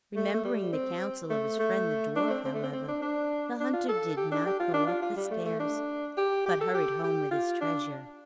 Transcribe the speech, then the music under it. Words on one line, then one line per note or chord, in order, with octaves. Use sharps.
Remembering the counsel of his friend the dwarf, however, the hunter did not go up the stairs, but hurried home with his treasure.
A3
A3
G3
C4
A3
A3
D4
A3
C4
C4
A3
C4
C4
D4
D4
D4
F4
A4
G4
D4
G4
F4
D4
F4
F4
G3
A3
A3
D4
G4
G4
A4
G4
G4
F4
D4